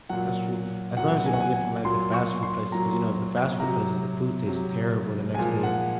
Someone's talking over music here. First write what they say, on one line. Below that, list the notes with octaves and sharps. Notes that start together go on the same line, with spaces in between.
That's true, as long as you don't get from, like, the fast food places, ‘cause, you know, the fast food places, the food tastes terrible the next day,
A#2 F#3 F#5
A#2 F#3 F#5
G#5
F#5
G#5
G#5
A#2 F#3 C6
C#6
C6
A#2 F#3 A#5
C3 F#3 A#5
C3 F#3
A#2 F3 G#3 G#5
F#5